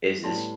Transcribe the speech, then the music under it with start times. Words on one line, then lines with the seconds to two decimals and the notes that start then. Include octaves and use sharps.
is this
0.24 A2 G3 B3 A5 C6